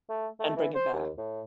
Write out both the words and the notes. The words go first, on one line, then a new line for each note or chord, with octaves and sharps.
and bring it back.
A3
A3
E3
C5
D#2
A2